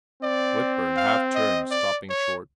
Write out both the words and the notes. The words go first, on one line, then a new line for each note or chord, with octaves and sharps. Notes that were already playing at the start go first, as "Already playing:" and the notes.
Whitburn half-turned, stopping short.
C4 D5
F5
D#5
D5
C#5